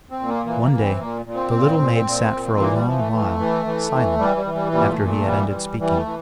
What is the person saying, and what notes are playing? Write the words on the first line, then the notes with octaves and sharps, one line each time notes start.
One day the little maid sat for a long while silent after he had ended speaking.
C4
A#2
A#3
E3 A#3
A#3
E3
C4
A#2 A#3
A#2
C4
A#2
A#2
A#2
A#2
E3 A#3
G3
E3 F3
A3
E3
E3
E3
E3
E3 G3
G3
E3
G3
A#2 G3
A3
A#2
A3
E3 G3
E3
E3 G3
A3
E3